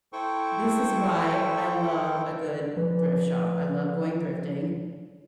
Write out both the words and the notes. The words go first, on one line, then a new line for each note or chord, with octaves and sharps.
this is why I love a good thrift shop, I love going thrifting,
E4 A4 C5 G5 C#6
F3 B4